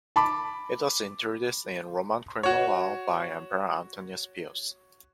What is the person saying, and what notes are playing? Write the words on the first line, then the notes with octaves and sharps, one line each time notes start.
It was introduced in Roman criminal law by emperor Antoninus Pius.
A5 B5 D6
F#4 C#5